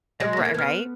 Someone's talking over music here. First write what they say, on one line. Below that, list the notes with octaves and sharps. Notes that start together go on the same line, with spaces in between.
uh, ri right?
G#3 A#6
A#3 A#6
G#6
B3 F6